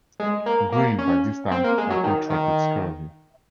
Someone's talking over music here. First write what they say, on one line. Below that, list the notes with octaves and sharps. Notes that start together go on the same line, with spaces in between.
Green, by this time had contracted scurvy.
G#3
A#3
A#3
C#4
C4
A#3
G#3
F#3
D#3
D#3